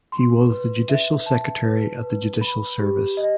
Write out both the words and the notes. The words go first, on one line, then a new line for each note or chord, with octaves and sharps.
He was the judicial secretary at the Judicial Service.
C6
B4
E5
A5
B4
B4
B5
G4
D#5